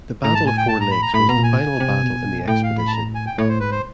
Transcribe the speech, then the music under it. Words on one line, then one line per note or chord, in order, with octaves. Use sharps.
The Battle of Four Lakes was the final battle in the expedition.
A2 A#5
G#2 A5
A2 G#5
G5
A5
A#5
B5
A#5
A2 B5
B2 A#5
A#2
G#5
C3
B2
A2 G5
F5
B5
A5
A#5
G#5
G5
A2 C#5
C5
G#2 B4
C5